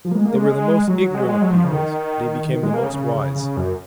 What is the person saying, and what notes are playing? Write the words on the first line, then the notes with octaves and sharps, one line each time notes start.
They were the most ignorant of peoples; they became the most wise.
F3
A#3
G#3
A#3
G#3
F#3
F#3
G#3
F#3
G#3
F#3
F3
C#3
D#3
D#3
G#3
A#3
C#3
C#3
C#3
C#3
F#2